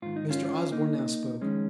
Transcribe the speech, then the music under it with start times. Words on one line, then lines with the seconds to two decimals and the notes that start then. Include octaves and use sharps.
Mr. Osborne now spoke.
0.02 G#2 D#3 F4
0.16 D#4
0.30 C#4 F4
0.72 A#3 D#4
1.41 F2 D#3 G#3 C#4